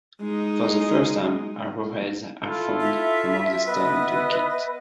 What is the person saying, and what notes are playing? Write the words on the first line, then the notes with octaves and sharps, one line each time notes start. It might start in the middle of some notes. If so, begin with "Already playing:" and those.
For the first time arrowheads are found among the stone tool kit.
G#3 D#4
E4 F4 A4
E5
B3 B4 D#5 E5